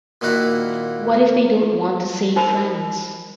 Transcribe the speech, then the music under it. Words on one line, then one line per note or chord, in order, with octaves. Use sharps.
What if they don't want to say friends?
A#2 D#3 A#3 E4 F#4 F#5
D#4 A#4 C5 B5